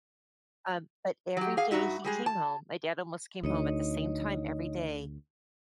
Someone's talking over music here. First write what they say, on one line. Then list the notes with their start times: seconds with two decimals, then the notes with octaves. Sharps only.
Um, but every day he came home- my dad almost came home at the same time every day-
1.37 F#3 G4
1.57 G#4 F5
1.71 G2 B2 D#4 F#4 E5
2.04 G3 G#3 G#4
2.26 A5
3.43 D2 D#4 C#5 D#5